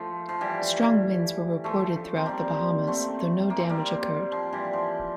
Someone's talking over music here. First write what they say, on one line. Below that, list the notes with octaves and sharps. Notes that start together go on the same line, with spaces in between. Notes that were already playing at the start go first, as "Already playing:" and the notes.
Strong winds were reported throughout the Bahamas, though no damage occurred.
Already playing: F3 A3
F3
E3 G3
F3 A3
C4
G3 A#3
A3 C4
A#3
C4
G3 A#3
F3
E3 G3
F3